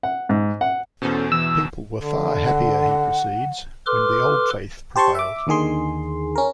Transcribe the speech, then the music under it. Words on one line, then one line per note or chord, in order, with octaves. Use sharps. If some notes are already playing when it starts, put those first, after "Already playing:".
People were far happier, he proceeds, when the 'Old Faith' prevailed.
F#5
G#2
F#5
E2 B2 C#4 A4 C5
E3 E6
D3
F#5
A4 B4 C6 D6 F6
G4 C5 A5 C6 C#6
E5 D6
D#2 D3 D#3 G#4 C6
C#4 A#4